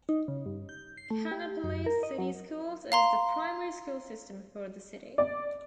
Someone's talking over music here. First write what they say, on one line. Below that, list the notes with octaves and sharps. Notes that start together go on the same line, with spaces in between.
Kannapolis City Schools is the primary school system for the city.
D#4
C#3
G2
G6
C7
A3
G4
F#2
A#4
D#5
F#3
F5 A#5 C6
D5